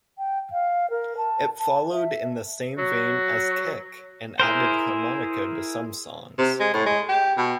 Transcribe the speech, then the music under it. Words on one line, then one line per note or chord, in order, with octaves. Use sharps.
It followed in the same vein as "Kick", and added harmonica to some songs.
G5
F5
A#4
A5
A5
E5
F#3 F#4
E4 G#4 A#4 C5
C3
G#3
A2
G#3
G4
B2